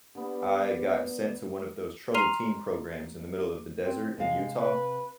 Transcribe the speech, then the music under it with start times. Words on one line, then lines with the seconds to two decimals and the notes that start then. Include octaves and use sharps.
I got sent to one of those troubled teen programs in the middle of the desert in Utah.
0.15 D3 B3 G4
2.14 A#5 C6 F6 C7 D#7 F7
3.84 C4
4.18 C3 G#3 F5
4.59 B4